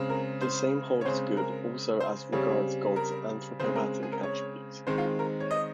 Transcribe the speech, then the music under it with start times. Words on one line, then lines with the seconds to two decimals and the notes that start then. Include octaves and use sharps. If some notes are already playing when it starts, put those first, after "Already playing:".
The same holds good also as regards God's anthropopathic attributes.
Already playing: C#3 G#3 C4
0.09 A#4
0.41 C5
1.01 C#5
1.05 C#3 G#3 C4 C5
1.37 A#4
2.00 C5
2.32 C#3 G3 C4 C#5
2.96 A#4
3.60 C#3 G#3 C4 C5
3.76 A#4
4.03 G#4
4.12 A#4
4.23 C#5
4.87 D#3 G#3 C4 C5
4.98 F4
5.19 A#4
5.40 C#5
5.51 D#5